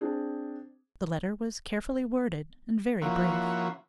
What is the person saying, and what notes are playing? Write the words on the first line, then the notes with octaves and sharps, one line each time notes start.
The letter was carefully worded, and very brief.
C4 D4 G#4
F3 A#3 C#4 E4 F#4